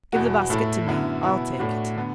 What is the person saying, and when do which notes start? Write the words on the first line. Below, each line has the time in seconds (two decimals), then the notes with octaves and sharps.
'Give the basket to me,--I'll take it.'
0.13 E2 B2 B3 F#4
0.50 A2 A3 E4
0.86 F#2 D3 B3 E4
1.23 B2 B3 E4
1.59 A2 A3 D4 F#4
1.96 D3 B3